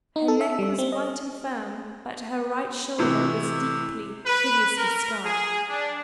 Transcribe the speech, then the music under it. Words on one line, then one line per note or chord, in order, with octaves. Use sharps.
Her neck was white and firm, but her right shoulder was deeply, hideously scarred.
D#4
A4
E5
G3
C4
D#5
A2 C3 E3
B4
A#4
G#4
D4